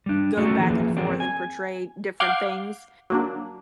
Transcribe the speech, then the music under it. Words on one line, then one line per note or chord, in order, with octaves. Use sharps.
go back and forth and portray different things.
G3 D4
F#3 A3 C#4 F#4 A4 D5
E3 F3 A#3 E4 G#4 B4
C4 G#4 A#4 D5
G#5
F5 F#5 D6 G6 G#6 C7
F#3 A#3 D4